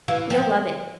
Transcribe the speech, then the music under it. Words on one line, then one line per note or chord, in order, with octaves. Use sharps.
You'll love it.
E3 F5
F3 G5